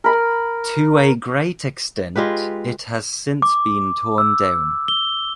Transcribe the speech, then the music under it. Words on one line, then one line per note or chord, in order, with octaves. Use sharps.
To a great extent, it has since been torn down.
A#4 B5
G#3 F4 G4 B4
D6
E6
G7